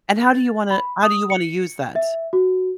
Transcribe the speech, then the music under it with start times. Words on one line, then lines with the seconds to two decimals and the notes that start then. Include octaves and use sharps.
And how do you wanna how do you wanna use that?
0.23 A6
0.71 B5
1.03 D#6
1.30 C#7
1.96 E5
2.33 F#4